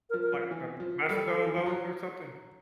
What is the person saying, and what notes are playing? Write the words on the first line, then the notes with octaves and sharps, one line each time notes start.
Like, the mastodon bone or something?
A#4
F3
A#4
F3
E3
F3
A#4
G3 A4
E3
F3
F#3